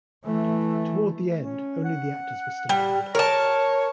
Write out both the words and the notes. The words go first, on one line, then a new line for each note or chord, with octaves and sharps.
Toward the end, only the actors were still around.
E3 A3
C#4
F#5
G3
A#4 C#5 A5